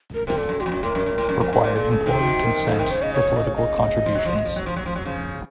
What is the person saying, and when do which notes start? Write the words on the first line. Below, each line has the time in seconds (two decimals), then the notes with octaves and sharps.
Required Employee Consent for Political Contributions.
0.14 A#4
0.27 C3 A#4
0.37 A#2 A4
0.49 F#2
0.60 A2 F#4
0.66 F2
0.72 F#2
0.83 A2 A#4
0.95 F#2
1.06 F#2
1.18 A2
1.29 F#2
1.41 F2
1.53 F#2
1.64 A#2
1.75 A#2 A4
1.91 C#3
2.06 C3 D#3
2.22 F#4
2.44 A#4
2.67 C#3 F3 A4
2.79 C3 D#3 A#4
2.90 C#3 C5
3.01 C#3 D#5
3.13 C#5
3.37 D#5
3.46 C#5
3.55 D#5
4.06 F3
4.15 F#3
4.25 F3
4.36 F#3
4.45 F3
4.56 F#3
4.66 F3
4.76 F#3
4.86 F3
4.95 F#3
5.05 C#3 F3